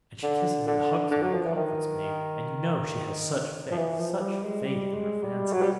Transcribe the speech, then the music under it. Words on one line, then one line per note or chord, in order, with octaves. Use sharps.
And she kisses and hugs me, comforts me, and you know she has such faith, such faith in her fancies!
D3
D3
D3
F#3
F3
E3
D#3
F3
E3
F3
G3
G#3
G3
G#3
G3
F#3
G3